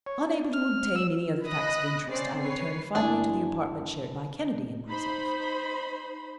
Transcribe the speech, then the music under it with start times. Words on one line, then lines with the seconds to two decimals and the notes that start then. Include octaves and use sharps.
Unable to obtain any other facts of interest, I returned finally to the apartment shared by Kennedy and myself.
0.06 C#5
0.26 D4
0.53 F6
0.96 E6
1.45 D#5 B5 D#6 F#6 A#6
2.10 C4 C#4 C5 D5 C7
2.40 B4 C#5 C7
2.95 G1 D4 E4 G#4
4.85 D#4 C5 B5